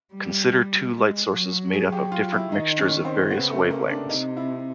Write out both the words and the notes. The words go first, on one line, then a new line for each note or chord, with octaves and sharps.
Consider two light sources made up of different mixtures of various wavelengths.
G3
G#3
F#3
G#4
G4
F4
E4
D#3 D#4
C#4
C4
C#3 B3
A3
A#3
D4
C3 D#4
E4